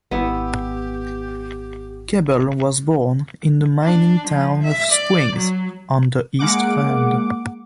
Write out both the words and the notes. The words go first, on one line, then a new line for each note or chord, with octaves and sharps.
Kebble was born in the mining town of Springs, on the East Rand.
G#1 B3 E4 G4
D4
F3
E5
D5
F#3
G#3 A#3 F#5 D6